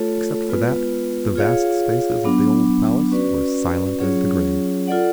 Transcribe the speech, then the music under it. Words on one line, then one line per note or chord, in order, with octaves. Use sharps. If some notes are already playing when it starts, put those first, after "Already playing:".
Except for that the vast spaces of the old Palace were silent as the grave.
Already playing: A3 F4 A4 C#5
G#3 B3 F4 B4
F4 G#4 C#5 F5
F#3 B3 D4
C#4 F#4 B4 D5
F#3 C#4 F4 G#4 C#5
F4 A4 D5 F#5